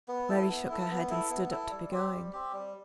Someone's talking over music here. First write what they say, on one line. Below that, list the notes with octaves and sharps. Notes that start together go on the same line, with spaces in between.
Mary shook her head, and stood up to be going.
B3
E4 A4
B3
E4 A4
B3
E4 A4
B3
E4 A4
G3
C4 G4
G3
C4 G4
G3